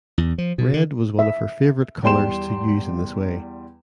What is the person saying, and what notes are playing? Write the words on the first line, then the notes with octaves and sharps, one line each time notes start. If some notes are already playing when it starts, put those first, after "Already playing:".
Red was one of her favorite colors to use in this way.
E2
F3
B2
D3
E5
E2 G3 G5 C6 E7